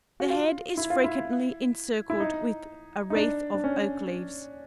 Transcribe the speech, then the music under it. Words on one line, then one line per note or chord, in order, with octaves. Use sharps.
The head is frequently encircled with a wreath of oak-leaves.
F#4
F4
E4
F4
E4
E4
D#4
D#4
D4
D4
C#4